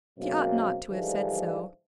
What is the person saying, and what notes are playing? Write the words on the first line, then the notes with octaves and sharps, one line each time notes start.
She ought not to have said so.
F#2 B2 G#3 A#3 C4
G#2 D3 E3 F3 G3